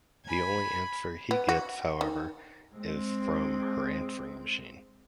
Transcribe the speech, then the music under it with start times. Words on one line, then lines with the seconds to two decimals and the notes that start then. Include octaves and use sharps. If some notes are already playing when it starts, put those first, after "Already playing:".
The only answer he gets, however, is from her answering machine.
0.24 G#5 B5
1.31 B3
1.49 F#4
2.01 D#3
2.74 G#3 C4